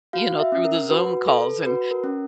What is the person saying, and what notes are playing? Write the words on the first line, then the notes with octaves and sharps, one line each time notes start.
you know, through the Zoom calls and
F#4 F5
E5
C#4
A#4
F#4 B4
A4
F#4 B4
A#4
C#4